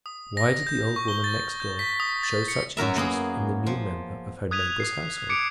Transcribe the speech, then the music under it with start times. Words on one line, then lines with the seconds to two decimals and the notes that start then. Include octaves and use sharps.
Why did the old woman next door show such interest in the new member of her neighbor's household?
0.06 D#6
0.37 A#6
0.67 G6
0.96 C#6
1.08 G7
1.24 A6
1.60 G6
1.79 B6
2.00 D#6
2.23 A6
2.48 C#7
2.77 F#2 F#4 A#4 E5
2.96 A#3 B3 G#4
3.66 F3
4.51 D#6 F#6 G#6 B6 D#7 F7
4.80 D#6 C7
5.29 D6 G#6 C#7 D7